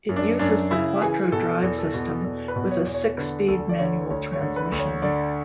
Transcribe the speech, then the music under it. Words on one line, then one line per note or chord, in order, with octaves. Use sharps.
It uses the quattro drive system with a six-speed manual transmission.
F#2
D4
F#2 D4
C#3 E4
E3 G#4
B2 A4
E2
A4
B2
E2 A4
B4
B2
C#5
E2
C#5
D3 B4
D2 A4
D5
D3 C#5
D2 C#5
C#5
D3
B4
D2
C#5
D3 D5